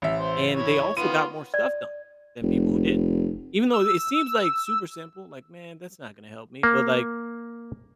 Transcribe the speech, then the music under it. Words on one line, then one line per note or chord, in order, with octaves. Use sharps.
and they also got more stuff done than people who didn't. Even though it seems like super simple, like, "Man, that's not gonna help me," but, like,
A1 E5
C5
E4 C#5
D#3 B3 F4 D#7
D5
F1
E6
A#3